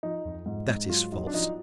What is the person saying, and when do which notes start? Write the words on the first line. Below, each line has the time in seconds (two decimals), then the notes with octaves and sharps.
That is false.
0.03 F3 D#4
0.25 F2
0.46 G#2
0.69 G#2 D#4
0.90 F#3 F4
1.12 F#3 D#4
1.27 D4
1.34 F3 D#4